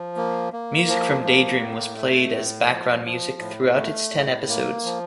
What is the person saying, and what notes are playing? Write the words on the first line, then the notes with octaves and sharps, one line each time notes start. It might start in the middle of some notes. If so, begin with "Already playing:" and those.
Music from "Daydream" was played as background music throughout its ten episodes.
Already playing: F3
A#3
A#3
F3
A#3
A2
A3
A2
F3
F3
A2
A3
A2
A#3
F3